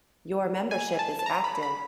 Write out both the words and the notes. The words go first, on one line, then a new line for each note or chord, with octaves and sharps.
Your membership is active.
G#5
A5
A5
A#5
B5
B5